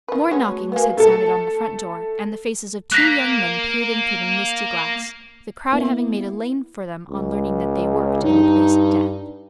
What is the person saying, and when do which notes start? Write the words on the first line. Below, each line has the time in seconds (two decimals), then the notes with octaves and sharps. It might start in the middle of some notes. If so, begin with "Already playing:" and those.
More knockings had sounded on the front door, and the faces of two young men peered in through the misty glass, the crowd having made a lane for them on learning that they worked in the place of death.
0.08 D#3 B4
0.31 G#3 B3 C#4
0.47 A3 F#4
0.72 A#3 B3 B4 F5 G#5
0.97 A3 A4
2.92 A#3 F#6 A#6 B6
5.72 A#3 B3 E4
7.09 C#2
8.23 G2 D#4